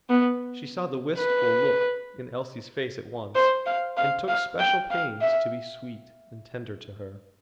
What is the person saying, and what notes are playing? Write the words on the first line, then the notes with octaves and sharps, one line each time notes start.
She saw the wistful look in Elsie's face at once, and took special pains to be sweet and tender to her.
B3
B4
C5
F5
F5
F5
G5
F5
E5